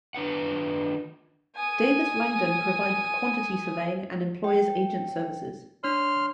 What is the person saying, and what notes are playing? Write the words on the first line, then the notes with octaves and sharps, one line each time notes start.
Davis Langdon provided quantity surveying and employer's agent services.
D#3 D4 B4 F#5
G#5 D#6
G5
D4 C#5 C6 F6